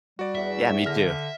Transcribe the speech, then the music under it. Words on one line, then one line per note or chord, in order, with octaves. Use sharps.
Yeah, me too.
G3 F#4 D5
E2 E5
D3 F6 A#6